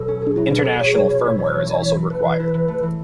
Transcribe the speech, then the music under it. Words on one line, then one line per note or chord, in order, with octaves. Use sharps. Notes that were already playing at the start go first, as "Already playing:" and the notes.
International firmware is also required.
Already playing: B2 F#3 A4
C#4
G#4
D4
F#3 E4
B2 D4
B4
C#4 A4
G#4 C#5
F#3
B2
E4
E3
A3
E3
E4
E3
A3 B4
E3
E4
E3
A3
E3